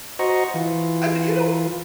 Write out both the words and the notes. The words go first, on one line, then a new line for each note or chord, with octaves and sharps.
said, "You don't"
F#4 C5 D#5 A#5 C#6
E3 F4